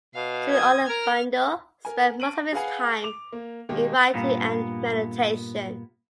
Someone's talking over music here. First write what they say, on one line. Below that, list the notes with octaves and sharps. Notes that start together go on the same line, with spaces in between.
Sri Aurobindo spent most of his time in writing and meditation.
B2 F5
D#6 G#6
A#4 F6
A#4 G#5
A5 D7 D#7 F#7
G#4 B4 F5 F#5 G#5
D6 F7
A#3
B2 D#3 G#3 A#3 D#4 G4
G2 A#2 A#3 B3